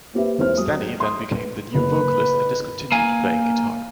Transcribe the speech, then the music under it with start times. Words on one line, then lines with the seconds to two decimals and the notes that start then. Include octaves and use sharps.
Stanne then became the new vocalist and discontinued playing guitar.
0.14 A#3 C4 G4 B4 E5
0.38 E1 C4 E4 C5 F6
0.57 F#3 G#3 D#6
1.00 C6 D#6
1.35 B4
1.74 F#1 B4
2.92 A#3 G#5